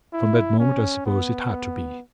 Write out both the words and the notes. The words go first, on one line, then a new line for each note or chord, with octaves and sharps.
From that moment, I suppose, it had to be.
E4
C#4
B3